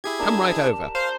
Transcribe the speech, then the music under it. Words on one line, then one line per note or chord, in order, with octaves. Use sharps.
Come right over.
E4 G4 G#4 G#6
D4 A#4 D5 A5
C5 F5